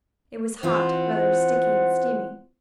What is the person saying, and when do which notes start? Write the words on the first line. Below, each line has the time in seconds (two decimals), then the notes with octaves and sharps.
It was hot; rather sticky and steamy.
0.63 E3 C4 F4 C5 F#5